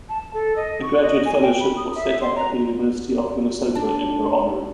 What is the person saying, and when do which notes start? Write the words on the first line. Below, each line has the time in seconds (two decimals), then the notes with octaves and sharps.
A graduate fellowship was set up at the University of Minnesota in her honor.
0.09 A5
0.34 A4
0.56 D#5
0.82 C#6
1.02 D#5
1.25 G#5
1.42 G5
1.59 B5
1.76 D#6
1.95 E5
2.21 C6
2.36 A#5
3.75 D4